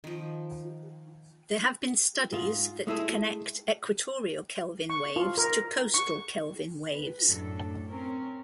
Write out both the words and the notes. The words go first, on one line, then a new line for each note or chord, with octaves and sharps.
There have been studies that connect equatorial Kelvin waves to coastal Kelvin waves.
D#3 F3
G#2 F4
G#3 A3 E4 G#4 A4
C#6
F4
A#4
C#6
B4
F#2 A2 D4 A4
C4 C#4 A#4